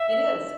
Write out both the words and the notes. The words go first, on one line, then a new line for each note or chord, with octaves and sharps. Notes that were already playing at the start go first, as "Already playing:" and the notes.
It is.
Already playing: E5